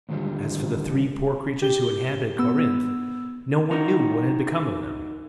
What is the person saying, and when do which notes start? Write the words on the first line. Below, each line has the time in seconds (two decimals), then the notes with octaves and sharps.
As for the three poor creatures who inhabited Corinthe, no one knew what had become of them.
0.09 D#2 G#2 D3 F3 G3
1.62 G4 G7
2.39 B3 E6
3.71 D#4 F#4 A#4